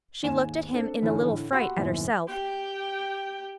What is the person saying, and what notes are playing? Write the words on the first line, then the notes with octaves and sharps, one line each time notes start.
She looked at him in a little fright at herself.
D#2 G#2 G#5 E7
C4 D4 A4
G#2 D3 E3 A3 C#4
A2 D3
F#4 G4 F#5 B5 C6 E6
D#1 B1 F#2 A2 B4
G4 G5